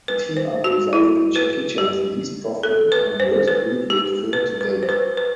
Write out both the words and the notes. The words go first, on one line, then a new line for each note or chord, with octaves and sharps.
The team-up resulted in Jackie Chan's least profitable and worst reviewed film to date.
B4
C5
F#4
E4
B4
G4
A4
B4
C5
B4
G4
B4
B4
C5
B4
B4